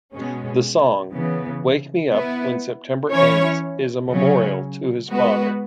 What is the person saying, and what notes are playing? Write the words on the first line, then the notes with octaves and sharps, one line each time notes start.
The song "Wake Me Up When September Ends" is a memorial to his father.
B2 G#3 C#4
C#3 E3 B3
B3 E4 B4
E3 C#4 E4 C#5
C#3 F#3 C#4
G#3 B3 F#4 B4